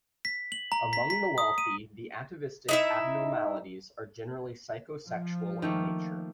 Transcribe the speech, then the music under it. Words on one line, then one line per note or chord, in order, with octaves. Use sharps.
Among the wealthy the atavistic abnormalities are generally psychosexual in nature.
B6
F#7
A#5
B6
B6
D#6
D#7
D#4 E4 E5
F3
D#3 A3 A#3